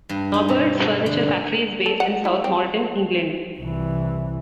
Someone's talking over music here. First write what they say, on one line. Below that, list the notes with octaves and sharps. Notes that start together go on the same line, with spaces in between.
Norbord's furniture factory is based in South Molton, England.
G2
D#4
B2
D3
A4
F#5
E4
C4
C2 E3